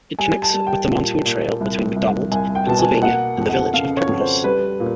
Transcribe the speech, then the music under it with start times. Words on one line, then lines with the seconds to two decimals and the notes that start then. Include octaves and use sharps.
It connects with the Montour Trail between McDonald, Pennsylvania and the village of Primrose.
0.19 G3 G#5
0.42 A5
0.54 G3
0.67 G5
0.90 A#2
1.25 A#2
1.61 C2
1.96 C2
2.32 C2 G#5
2.55 G5
2.66 B2 A5
2.79 G#5
3.03 A#3 F#5
3.38 F2
3.50 F#5
3.73 C#3 F5
3.97 C#5
4.09 F2
4.21 C5
4.44 G3 B4
4.80 A#2